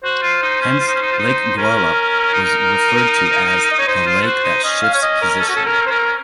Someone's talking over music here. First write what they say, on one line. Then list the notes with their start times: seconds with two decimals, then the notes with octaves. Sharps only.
Hence, Lake Gwelup was referred to as "the lake that shifts position".
0.04 F#4 C5
0.22 F4
0.43 D#4
0.62 C#4
0.80 F4
0.87 D#4
0.95 C#4
1.02 D#4
1.12 F4
1.19 D#4
1.57 C#4 A#4
2.33 D#4
3.71 D#5
3.79 C#5
3.87 D#4 C5
4.06 F4
4.22 A4
4.26 F#4
4.44 D#4
4.64 C#4 D#5
4.83 F5
4.94 C#5
5.02 D#5
5.22 A#4
5.41 A4
5.49 F#4
5.56 A4
5.66 A#4
5.87 C5
5.91 A#4